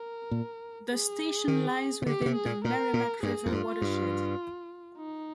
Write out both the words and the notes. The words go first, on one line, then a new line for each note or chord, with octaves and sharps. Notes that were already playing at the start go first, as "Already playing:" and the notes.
The station lies within the Merrimack River watershed.
Already playing: A#4
A#2
G#4
D#3
C3
D3 G4
D3
C3
G#4
A#2
A#2 A#4
A#2
G2 G#4
F2
G2 F4
G2
D#4